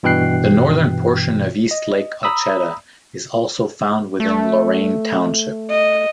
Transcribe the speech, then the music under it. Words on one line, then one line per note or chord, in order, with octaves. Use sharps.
The northern portion of East Lake Ocheda is also found within Lorain Township.
G2 B2 E3 G5 F#6 C7
D#5
A#5 B5 D#6 E6
A3
D#5